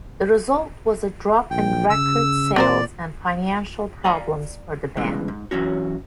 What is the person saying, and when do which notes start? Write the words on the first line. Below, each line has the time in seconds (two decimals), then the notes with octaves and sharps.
The result was a drop in record sales and financial problems for the band.
1.51 A#1 G5
1.90 C#3 E6
2.56 A#2 C4 A#4 C5 D5
4.04 D5 F5 G#5 A#5 B5
4.97 E2 G2 C#3 E3 G#3
5.28 G#2
5.51 E3 F#3 C#4 F#4